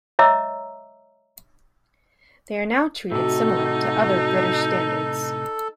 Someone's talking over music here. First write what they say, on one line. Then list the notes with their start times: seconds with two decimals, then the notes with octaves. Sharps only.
They are now treated similar to other British Standards.
0.19 C#5 D#5 E5 A#5 D6 E6
3.12 A2 C3 D#4 F#4 A4